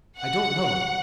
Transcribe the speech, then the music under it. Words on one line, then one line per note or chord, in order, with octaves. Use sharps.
I don't know.
F#5